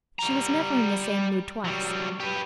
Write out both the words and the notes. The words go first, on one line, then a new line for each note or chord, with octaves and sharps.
She was never in the same mood twice.
G3 A#5
F#3 G3
G4 B4